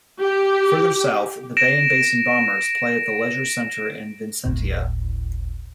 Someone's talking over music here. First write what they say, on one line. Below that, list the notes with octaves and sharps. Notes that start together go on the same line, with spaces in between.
Further south, the Bay and Basin Bombers play at the Leisure Centre at Vincentia.
G4
A#6 D7 E7
G1 D2 A2